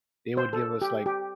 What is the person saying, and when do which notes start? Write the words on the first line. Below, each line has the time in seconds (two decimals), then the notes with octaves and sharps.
they would give us, like,
0.37 C5
0.53 A4
0.82 G4
1.06 G4